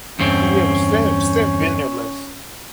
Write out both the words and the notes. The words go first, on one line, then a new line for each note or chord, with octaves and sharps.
Yeah, but Steph Steph been there less.
E2 G2 C4 C#4